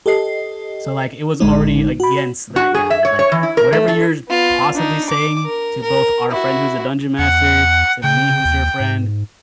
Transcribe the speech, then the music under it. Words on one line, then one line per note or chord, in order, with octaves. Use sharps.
So, like, it was already against that guy, like, "Whatever you're possibly saying to both our friend who's a dungeon master, to me who's your friend,
G4 A4 D#5 C7
A1 D3 G#3 D#4
F#4 B5
F#4
G#4
E5
C#5
C#5
E3
E4
A#4
A3
A4
B3 F4
D4 D#4
D6
A#4
A#4
E4 F#4
E2 F#5
C#3 G5
D#2
G#2